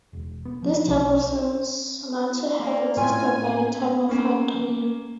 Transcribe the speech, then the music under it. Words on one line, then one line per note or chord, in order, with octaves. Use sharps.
This temple seems not to have existed by the time of Hadrian.
E1
B3
F3
B1
E4
A#3 D5
A2 A3 C4 C#4 F4 G#5
A#3 C#4